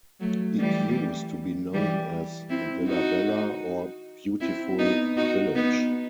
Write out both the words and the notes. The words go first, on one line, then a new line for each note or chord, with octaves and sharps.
It used to be known as "Villa Bella" or "Beautiful Village".
F#3 A3
E3 G3
E3 G3
C4 E4
D#4 F#4
C4 E4
B3 D#4
D#4 F#4
B3 D#4